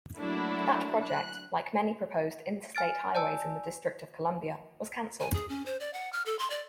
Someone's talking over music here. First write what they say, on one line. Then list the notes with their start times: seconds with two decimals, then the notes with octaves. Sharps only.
That project, like many proposed interstate highways in the District of Columbia, was canceled.
0.17 F#3 A3 A#3 D4 E4 F#4
1.07 F#6
2.75 G#5 F6 A6 D7
3.15 D5 G#5 A5 E6
5.20 G#5
5.34 G#4
5.49 C#4
5.66 C5
5.80 D5
5.93 F#5
6.13 F6
6.26 A4
6.39 C6
6.50 D5